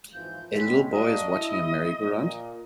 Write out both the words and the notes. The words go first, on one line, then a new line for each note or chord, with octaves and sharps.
A little boy is watching a merrygoround.
G#1 E3 F3 G6
A2 G#3 B6
A#3 D4 F#4 D#5
E4
A#2